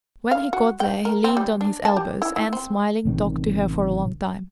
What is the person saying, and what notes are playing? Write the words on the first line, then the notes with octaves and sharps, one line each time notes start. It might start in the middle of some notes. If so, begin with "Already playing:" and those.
When he got there he leaned on his elbows and, smiling, talked to her for a long time.
F5
F#4
G5
A#4
C4
G3
D4
A5
G4
E4
E4
C4
A1 C3 D#3